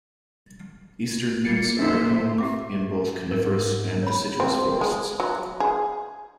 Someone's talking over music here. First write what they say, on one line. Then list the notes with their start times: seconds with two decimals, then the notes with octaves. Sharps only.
Eastern newts are at home in both coniferous and deciduous forests.
1.44 G3 A#3 A6 C7 C#7
1.79 A#3 C#4 D#4 C5 E5
2.38 G4 E5 D6
3.32 G#2 A#4
4.03 C#5 B5
4.40 C4
4.81 G#3
5.20 F#3
5.60 G#4